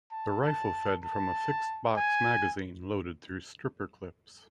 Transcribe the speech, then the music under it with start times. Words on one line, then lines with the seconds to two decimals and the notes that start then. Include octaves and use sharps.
The rifle fed from a fixed box magazine, loaded through stripper clips.
0.11 A5
0.42 A5
1.04 A5
1.97 G#5